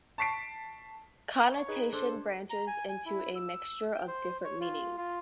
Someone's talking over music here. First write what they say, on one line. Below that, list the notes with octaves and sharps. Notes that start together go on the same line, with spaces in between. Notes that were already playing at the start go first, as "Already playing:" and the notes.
"Connotation" branches into a mixture of different meanings.
A5 C#6 B6 C7 D7
C#5
D#4 G#4 B4 G#6
D4 A4 C5
A#5
G#5
G#5
E4
E6
G5
C5
C#5
F4
F4